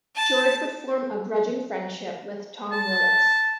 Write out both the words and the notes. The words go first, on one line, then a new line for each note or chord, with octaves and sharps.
George would form a grudging friendship with Tom Willis.
A5
A5